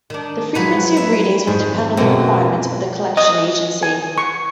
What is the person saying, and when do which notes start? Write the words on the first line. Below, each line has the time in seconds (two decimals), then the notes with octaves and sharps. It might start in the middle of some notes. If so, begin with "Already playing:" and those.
The frequency of readings will depend on the requirements of the collection agency.
0.10 D#3 D4
0.55 F3 F#3 G#3 B4
0.97 E5
1.48 F2 G#2 D#3
1.97 F#2 B2 A3 A#3 C4
3.17 D#5
3.83 G#5
4.18 C#6